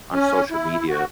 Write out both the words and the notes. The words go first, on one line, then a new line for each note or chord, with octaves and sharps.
on social media,
C#4
E4
F#4